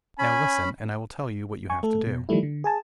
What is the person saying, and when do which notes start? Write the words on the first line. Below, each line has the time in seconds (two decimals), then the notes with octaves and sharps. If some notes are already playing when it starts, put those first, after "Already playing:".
'Now listen, and I will tell you what you have to do.'
0.19 C#4 G#5 B5
1.70 G#5 C#6
1.83 A3 A4
2.07 B2
2.29 D#3 F3 G3 A3 E4
2.43 D3
2.64 G#4 G#5 A5